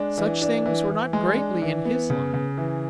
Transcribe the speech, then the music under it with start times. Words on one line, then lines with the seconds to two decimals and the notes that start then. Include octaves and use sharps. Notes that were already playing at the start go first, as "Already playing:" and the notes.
Such things were not greatly in his line.
Already playing: G#3 D4
0.18 E3
0.42 D4
0.66 E3
0.90 E3
1.13 G#3
1.37 D4
1.62 E3
1.85 B3
2.10 C#3
2.34 C#3
2.57 E3